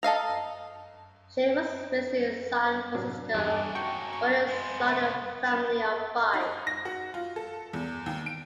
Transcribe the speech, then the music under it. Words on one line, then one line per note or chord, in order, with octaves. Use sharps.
Shelley was raised in San Francisco, the only son in a family of five.
A4 D#5 F5 A#5
A2 C3 F#3 D4
E2 G2 G3 D4 D#4 G#4 A5
A#3 C#4 F#4 G5 C#6
C#6
G#3 B3 C5
C2 A3 E5
D#4
A#6
F#4
F4
A4
E2
D#2
D7